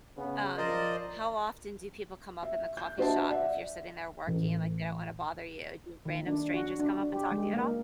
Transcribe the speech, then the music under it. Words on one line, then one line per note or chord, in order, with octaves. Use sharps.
um, how often do people come up in the coffee shop if you're sitting there working, like, they don't wanna bother you? Do random strangers come up and talk to you at all?
C#3 B3
F3 A#4 C5 D5 D#5
E5
G6
D4 F#4 C5 D#5 E5 A5
D5 E5 F#5
A1
D#3
D4
F#4
D4
G4
G#3
A#3